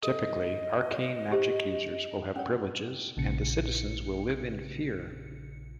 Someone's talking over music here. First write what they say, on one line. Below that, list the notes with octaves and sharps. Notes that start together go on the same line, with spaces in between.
Typically, arcane magic users will have privileges, and the citizens will live in fear.
A4 D#5
C#5
G4 C5
C#4 C#5 F#5
A#1 A#2 C#3 C#7